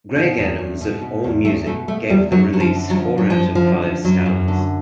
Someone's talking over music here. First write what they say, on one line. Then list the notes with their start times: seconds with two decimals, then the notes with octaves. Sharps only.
Greg Adams of Allmusic gave the release four out of five stars.
0.16 B2
0.37 E2
0.59 E2
0.81 B2
1.01 B2
1.24 E2
1.45 E2 A3
1.66 B2 A3
1.88 B2 A3
2.10 E2 G3
2.32 F#2 F#3
2.53 F#2 F#3
2.60 F3
2.75 D3
2.90 F#3
2.97 F3
3.17 F#2 F#3
3.30 F3
3.40 F#2
3.55 F3
3.61 D3
3.82 F3
4.05 F#2 F#3
4.26 F#2
4.48 D3